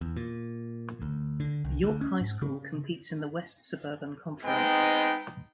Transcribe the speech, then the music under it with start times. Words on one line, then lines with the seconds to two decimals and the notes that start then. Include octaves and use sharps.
York High School competes in the West Suburban Conference.
0.01 E2
0.16 A#2
1.02 D2
1.40 D3
1.64 C2
1.84 D2
2.01 C#4
2.21 G#2
2.42 C#3
4.45 G#3 B3 C4 D#4 G5